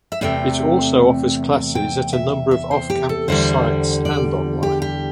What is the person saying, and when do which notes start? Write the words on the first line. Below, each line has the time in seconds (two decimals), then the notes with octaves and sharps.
It also offers classes at a number of off-campus sites and online.
0.12 E5
0.21 E2 C3 A3 C4 G5
1.75 G5
2.13 E5
2.51 E5
2.71 C5
2.90 G4
3.09 A4
3.28 E2 D3 G3 C5
4.05 D5
4.63 G4
4.82 G4